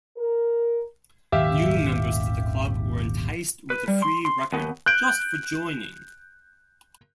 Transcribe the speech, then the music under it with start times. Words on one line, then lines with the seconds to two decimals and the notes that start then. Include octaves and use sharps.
New members to the club were enticed with a free record just for joining.
0.17 A#4
1.32 D#1 G#1 D#2 G4 E5 F5
3.70 B4
3.88 G3
4.02 C6
4.25 C6
4.52 D#2 B3
4.86 F#6 G6 D7